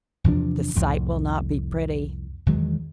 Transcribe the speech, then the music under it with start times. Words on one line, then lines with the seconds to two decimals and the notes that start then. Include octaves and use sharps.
The sight will not be pretty.
0.24 E2 C3 F3 D4
0.75 C2 F2 A2
2.46 E2 D#3 F#3 G#3